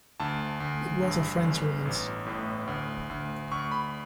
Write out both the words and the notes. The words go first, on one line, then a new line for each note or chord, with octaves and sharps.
It was a Frenchwoman's.
D2 A5
D2
G2
G1
A1
A2
D2
D2
D2 C#6
B5